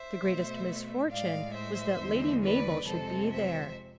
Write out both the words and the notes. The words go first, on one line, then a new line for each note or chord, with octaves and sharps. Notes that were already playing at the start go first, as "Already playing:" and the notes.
The greatest misfortune was that Lady Mabel should be there.
Already playing: C5 E5
B2 A3
A2 G#3 D5 F5
C5 E5
E2 D3 G#3
B4 D5
F2 C3 G#3 A4 C5
C5 E5